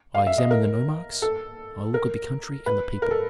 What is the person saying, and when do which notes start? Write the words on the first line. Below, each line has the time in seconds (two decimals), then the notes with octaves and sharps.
I examine the nomarchs, I look at the country and the people.
0.15 F5
0.27 E5
0.38 D#5
0.51 A#4
1.22 A4
1.94 A#4
2.66 B4
3.02 A#4
3.11 A4